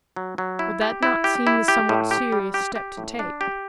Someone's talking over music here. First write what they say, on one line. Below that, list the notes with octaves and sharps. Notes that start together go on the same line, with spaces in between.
"Would that not seem a somewhat serious step to take?"
F#3
F#3
E4
G4
E4
G4
E4
G4
A2
G4
G3
G4
G4
A2
D4
G4